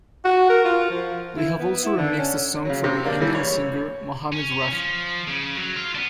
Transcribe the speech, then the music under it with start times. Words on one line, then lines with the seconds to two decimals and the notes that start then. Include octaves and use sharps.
They have also remixed a song for the Indian singer Mohammed Rafi.
0.25 F#4
0.50 A#4
0.65 F4
0.90 F3
1.36 E4
1.60 B3
1.84 E4
1.98 D3
2.18 C#4
2.65 C#3 F#3
2.84 C3
3.05 A#3 D4
3.20 E3 G3
3.35 C#5
4.32 C#4
4.72 F3
5.27 C#3
5.56 F#3
5.76 F4
5.95 B3 D4